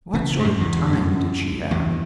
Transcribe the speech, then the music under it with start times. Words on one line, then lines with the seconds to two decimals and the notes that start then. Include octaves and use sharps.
What sort of time did she have?
0.14 C#3 E3
0.39 G2
0.44 F#2 A2
0.61 E2 G2
0.76 E2
0.86 G2
0.93 F#2
1.71 E2 G2